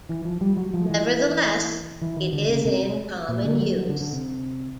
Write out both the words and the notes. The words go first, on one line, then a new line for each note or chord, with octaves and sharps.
Nevertheless, it is in common use.
E3
F3
G3
F#3
F3
E3
E3
D#3
D3
C#3
C3
A#2
D3
G3
F#3
F#3
D3
D3
C3